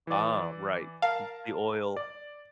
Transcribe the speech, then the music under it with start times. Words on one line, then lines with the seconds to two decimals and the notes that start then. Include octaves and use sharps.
Ah, right. M the oil.
0.07 E3 D5
1.02 A#4 F5 A5
1.97 D5